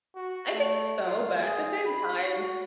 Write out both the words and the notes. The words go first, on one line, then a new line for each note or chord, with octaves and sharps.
I think so, but at the same time,
F#4
A3
F4
G#4
B5
F#4